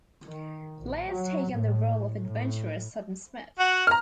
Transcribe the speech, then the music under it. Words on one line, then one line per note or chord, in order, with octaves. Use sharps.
Players take on the role of adventurer Sudden Smith.
D#3
A#1
F#3
A2
A2
F#4 F#5
A#5 F6